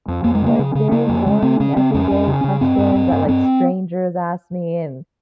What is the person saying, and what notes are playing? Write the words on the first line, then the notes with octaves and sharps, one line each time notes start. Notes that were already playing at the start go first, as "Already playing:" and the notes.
like, very boring everyday questions that, like, strangers ask me," and
F2
F2 A#3
G#3
C#3 A#3
C#3
C#3
C#3 A#3
F2
C#3 G#3
C#3 C4
C#3 C#4
C#3 C4
F2 C#4
F2
C#3
C#3
G2 C4
G2
G2
G2
G2 C4